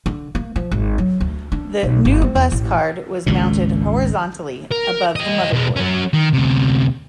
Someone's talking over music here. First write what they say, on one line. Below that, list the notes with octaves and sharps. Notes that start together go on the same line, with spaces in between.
The NuBus card was mounted horizontally above the motherboard.
D3
A#3
F3
G#1
F#3
D2
D4
B1
G1
C4
E2
A1
G#1 C#2 A#2
A#4
G4 D#5
B2 G#3
F#3 C#4
D#3
D2 C3